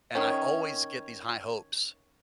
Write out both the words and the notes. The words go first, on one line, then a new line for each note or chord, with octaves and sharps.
And I always get these high hopes
D#3 C#4